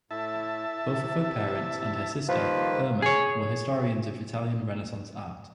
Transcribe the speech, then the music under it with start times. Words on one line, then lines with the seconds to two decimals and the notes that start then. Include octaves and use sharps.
Both of her parents and her sister, Irma, were historians of Italian Renaissance art.
0.11 A2 E4 E5 A5
0.87 C3
2.29 D#3 F3 G3 A#3 B4
3.02 G#4 C#5